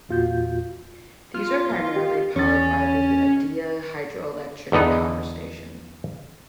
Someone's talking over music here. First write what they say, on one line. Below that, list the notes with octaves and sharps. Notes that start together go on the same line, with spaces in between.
These are primarily powered by the Edea Hydroelectric Power Station.
E2 A#2 F4 F#4 G6
F4
G4
E2 C#4 A6
E2 D3 B3 D#4